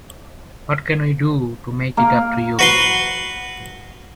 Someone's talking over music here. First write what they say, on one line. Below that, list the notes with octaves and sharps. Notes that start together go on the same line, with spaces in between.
What can we do to make it up to you?
A#3
F#4 B4 C6